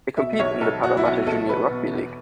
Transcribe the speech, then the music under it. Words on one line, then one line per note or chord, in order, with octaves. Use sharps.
They compete in the Parramatta Junior Rugby League.
B2 E5
E5
B1 C#5
B1 A4
B1 F#4
E4
B1 F#4
B1 A4
B1 B4
B2
E2